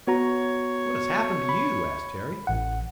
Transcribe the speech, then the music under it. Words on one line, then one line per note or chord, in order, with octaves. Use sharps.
"What has happened to you?" asked Harry.
B3 F#4 C#5 A#5
B5
A1 F#5